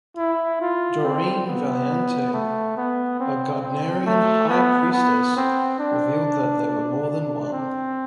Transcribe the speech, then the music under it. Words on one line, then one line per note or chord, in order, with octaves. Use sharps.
Doreen Valiente, a Gardnerian High Priestess, revealed that there were more than one.
E4
F4
C4
B3
A3
B3
C4
C4
A3
B3
B3
C4
D4
C4